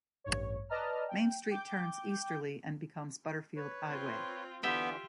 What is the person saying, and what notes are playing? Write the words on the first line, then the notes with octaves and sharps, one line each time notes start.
Main Street turns easterly and becomes Butterfield Highway.
A1 G2 C#5
B4 D5 D#5 A5 A#5 F6
G5
G5 D6 G6
B4 C#5
C4 F4
D3 E3 B3 F4 G4 E5 G5